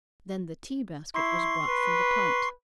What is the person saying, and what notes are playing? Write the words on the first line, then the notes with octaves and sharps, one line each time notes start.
Then the tea-basket was brought from the punt.
E4 C6 C#6 C7
B4